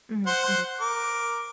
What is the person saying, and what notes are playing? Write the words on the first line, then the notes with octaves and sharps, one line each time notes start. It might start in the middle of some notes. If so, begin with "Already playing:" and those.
Mhm, mhm.
C5 F#5 C6
A#4 D6